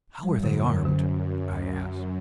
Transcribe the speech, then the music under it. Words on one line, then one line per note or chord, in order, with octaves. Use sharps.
"How are they armed?" I asked.
F#2 G3
D3
F#2 D3
D3